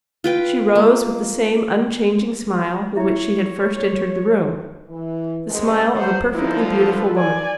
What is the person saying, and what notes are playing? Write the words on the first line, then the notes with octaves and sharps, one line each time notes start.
She rose with the same unchanging smile with which she had first entered the room--the smile of a perfectly beautiful woman.
F4 B4 G5
A#3
E4 C#5 E5
E3
F#2 C3 G#3
F#3 B3 C5
D2 F3 D#4 E4
A4 B4
D5 G#5